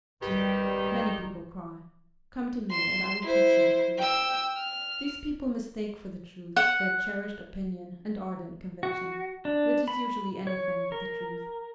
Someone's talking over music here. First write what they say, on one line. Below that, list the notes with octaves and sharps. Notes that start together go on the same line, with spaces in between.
Many people cry, "Come to me, and I will teach you the truth!" These people mistake for the truth their cherished opinion and ardent conviction, which is usually any thing but the truth.
G#1 D#3 G3 G4 B4
C6 E7
E4 C5
G5 E6
F6
F#5
F#4
D4
B5
C#5
A#4